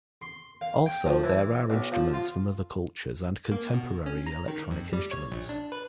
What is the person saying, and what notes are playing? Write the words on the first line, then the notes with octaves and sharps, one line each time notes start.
Also, there are instruments from other cultures and contemporary electronic instruments.
C6
F5
G5
F3
E3
B1
F3
F4
A#3
B2
C#4
A#5
D#3
F2
G3
C#5
A#1
D4
B4